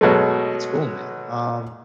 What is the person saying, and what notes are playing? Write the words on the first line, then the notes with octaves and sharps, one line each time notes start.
that's cool, man. Um
B2 F#3 G#3 A3